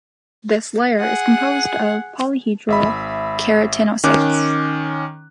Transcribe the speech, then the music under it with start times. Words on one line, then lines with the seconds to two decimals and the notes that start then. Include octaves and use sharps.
This layer is composed of polyhedral keratinocytes.
0.98 G#4 F#5
2.68 G#1 E5 B5
4.04 D#3 C#4 D6 F#6